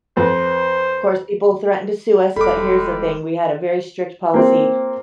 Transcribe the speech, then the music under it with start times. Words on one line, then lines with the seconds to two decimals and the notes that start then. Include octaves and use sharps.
Course, people threatened to sue us, but here's the thing, we had a very strict policy.
0.17 F2 B4 C5
2.36 E1 G3 G#3 A4 B5 D6
4.34 A#3 C4 F4